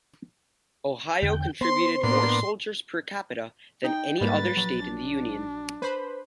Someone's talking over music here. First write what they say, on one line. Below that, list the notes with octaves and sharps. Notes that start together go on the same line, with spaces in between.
Ohio contributed more soldiers per-capita than any other state in the Union.
E2 D3 G5
B3 C5 C6
A2 A#3 B3 D4 C6
D#4 G5
G#2 G3 A#3 B4 A6
A#1 F#3
D4
B4 C5 B5